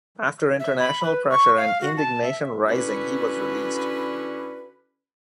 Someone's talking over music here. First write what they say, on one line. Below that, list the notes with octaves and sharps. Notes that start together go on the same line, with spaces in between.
After international pressure and indignation rising, he was released.
E5
B5
B4
C#6
F5
F#4
A5
E5
D3 C#4 E4 F#4 B4